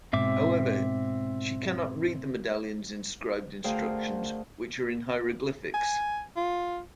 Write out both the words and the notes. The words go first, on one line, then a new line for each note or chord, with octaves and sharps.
However, she cannot read the medallion's inscribed instructions, which are in hieroglyphics.
G#2 B2 C4 E5 D6
D2 G#4 A#4 C5 F5 G5
G#5
F4